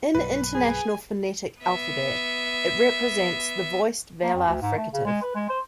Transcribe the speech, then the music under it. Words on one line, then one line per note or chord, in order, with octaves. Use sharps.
In International Phonetic Alphabet, it represents the voiced velar fricative.
B1 G2 B4
G#4 G#5
B3 E5
A#3
F2
D2
G#2
A3
C#3
G#3
B4
G#3
C5